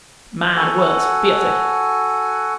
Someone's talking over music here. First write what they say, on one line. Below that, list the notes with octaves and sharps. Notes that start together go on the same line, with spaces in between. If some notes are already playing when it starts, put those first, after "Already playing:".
Mine was filthy.
F#4 A4 F#5 G#5